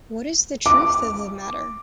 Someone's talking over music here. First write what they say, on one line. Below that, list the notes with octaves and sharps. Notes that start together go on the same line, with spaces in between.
What is the truth of the matter?
D6